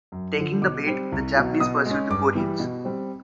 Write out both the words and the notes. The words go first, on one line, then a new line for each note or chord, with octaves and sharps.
Taking the bait, the Japanese pursued the Koreans.
F#2
D3 F3
B2 D6
G3 C4
C2
B2 F#3
B2 D#6
G#3 C#4
G2 D6
E3 G3
B2
G3 C4